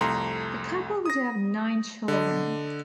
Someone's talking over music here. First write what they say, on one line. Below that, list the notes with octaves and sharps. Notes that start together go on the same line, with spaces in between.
The couple would have nine children.
C2 F2 A3 A#5 C6
D#6 A#6
D3 D#5